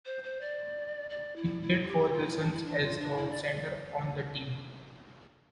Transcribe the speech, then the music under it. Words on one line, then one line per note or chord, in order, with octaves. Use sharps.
He played for the Suns as a center on the team.
C5
C5
D5
D5
E4
E4
F4
G4
F4
E4
D4
E4
D4
F4
D4
E4
D5
D5
D5